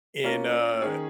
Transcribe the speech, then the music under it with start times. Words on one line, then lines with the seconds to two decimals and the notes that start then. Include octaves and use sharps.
in, uh,
0.24 A#3 C#4 F4 A#4
0.82 D#3 C#4 G#4 C#5